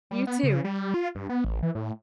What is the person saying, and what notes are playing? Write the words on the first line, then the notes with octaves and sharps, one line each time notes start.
You, too.
G3
B3
C#3
G3
F4
G2
B3
A1
E3
A2